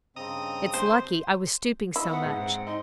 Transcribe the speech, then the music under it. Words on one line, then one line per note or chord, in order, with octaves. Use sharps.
It's lucky I was stooping so much.
G2 C#3 C4 D#5 A#5 D#6
C5
E4 D#5
B3 F#5
G#2
C4
D#4 C6